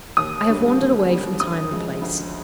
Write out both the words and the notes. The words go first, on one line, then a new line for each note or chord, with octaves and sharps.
I have wandered away from time and place.
D#2 D#6
D3 G3
D#2
D3 G3
D2 D#6
C#3 F3 G#3
D2